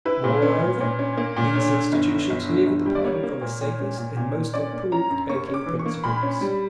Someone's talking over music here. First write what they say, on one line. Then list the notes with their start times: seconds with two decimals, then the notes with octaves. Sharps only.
Moreover these institutions never departed from the safest and most approved banking principles.
0.05 E4 B4
0.24 A#2
0.42 C#4
0.62 A#2
0.81 A#2
0.99 C#4
1.17 A#3
1.37 A#2
1.55 D3 C#5
1.74 D3
1.92 G1
2.11 D3
2.30 G1
2.48 D3
2.66 G1
2.86 G3
2.95 D5
3.04 A#3 C#5
3.23 A#3
3.41 A#2
3.61 A#2
3.79 C#4
3.98 A#2
4.17 A#2
4.35 A#2
4.54 C#4 D5
4.73 A#3
4.92 C#4 A#5
5.10 F#2
5.29 A#3 C#6
5.48 C#4
5.54 D6
5.66 E3
5.79 C#6
5.86 A#3
6.04 A#2 B5
6.23 C#4
6.41 G3